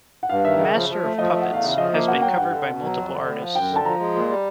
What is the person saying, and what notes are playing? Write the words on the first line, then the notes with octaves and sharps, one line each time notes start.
"Master of Puppets" has been covered by multiple artists.
F#5
G2 F5
D#3 E5
C#3
F3
F3
A3
F3 D#5
A3
F#5
E2 F5
C#3 E5
F3 D#5
A#3 E5
B2 F#5
F#3 G5
G2 F#5
D3
B2
F#3
F2
D3
A2
F3
F#2 G5
D3
A5
F3 A#5
G#3
A#2
G3